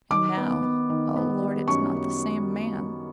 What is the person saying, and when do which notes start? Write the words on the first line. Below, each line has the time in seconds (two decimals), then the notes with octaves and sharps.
And now, O Lord, it's not the same man.
0.11 D#3 D6
0.37 B3
0.62 B3
0.90 D#3
1.16 B3
1.42 G3
1.68 F#2 C#6
1.95 F#2